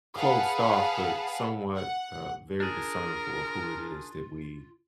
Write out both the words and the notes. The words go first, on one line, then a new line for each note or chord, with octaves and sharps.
closed off, but somewhat, uh, very discernful of who it is that we
G#4 B4 F5 F#5 A5
F#5
D4 F4 G#4 A#4